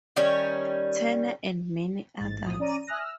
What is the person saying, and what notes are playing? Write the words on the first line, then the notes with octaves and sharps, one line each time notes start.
Turner and many others.
D#3 G3 C#4 C#5
A1 G#2 A6
B1 A2 F3 D#6
C#4 D5 A#5 D#7
E5 G#5 D#6 F6 F#6 A#6
E6 F6